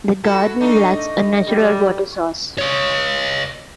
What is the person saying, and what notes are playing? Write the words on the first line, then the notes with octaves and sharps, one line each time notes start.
The garden lacks a natural water source.
E4 F#4 A4
A3 D4 D#4 D#5
F#2 G3
C#5 D#5